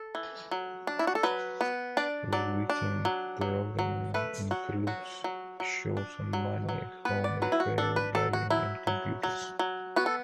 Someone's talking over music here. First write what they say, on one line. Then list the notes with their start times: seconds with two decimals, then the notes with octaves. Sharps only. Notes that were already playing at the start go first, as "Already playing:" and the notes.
Weekend programming includes shows on money, home repair, gardening and computers.
Already playing: A4
0.15 E3
0.51 F#3
0.87 D4
0.99 E4
1.07 F#4
1.15 A4
1.23 F#3 B4
1.61 B3
1.97 D4 D5
2.33 F#3 D5
2.70 D4
3.05 F#3
3.41 F#3
3.79 F#3
4.14 A3 B4
4.51 F#3 F#4
4.87 F#3 F#4
5.24 F#3
5.60 F#3
5.97 D4
6.33 F#3
6.69 F#3
7.05 B3 B4
7.24 D5
7.42 F#3 B4
7.52 E4
7.60 F#4
7.78 D4 A4
7.96 B4
8.15 F#3 A4
8.33 F#4
8.50 F#3 E4
8.87 F#3
9.23 F#3
9.59 F#3
9.96 B3 F#4
10.06 A4